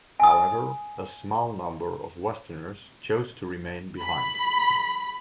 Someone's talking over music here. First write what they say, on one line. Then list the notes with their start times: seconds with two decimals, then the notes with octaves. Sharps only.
However, a small number of Westerners chose to remain behind.
0.20 G#5 D#6
4.02 B5